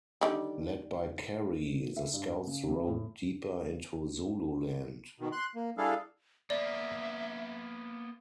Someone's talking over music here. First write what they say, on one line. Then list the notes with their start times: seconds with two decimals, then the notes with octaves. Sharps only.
Led by Carey, the scouts rode deeper into Zululand.
0.21 D3 D#3 G3
1.96 E5
2.13 G2
2.47 C#3
2.69 F2
2.87 A2
5.20 B2 D#3
5.32 C6 F#6
5.55 A#3
5.78 G3 D4 E4 G#4 A4 F5
6.50 A#3 B3 D5 E5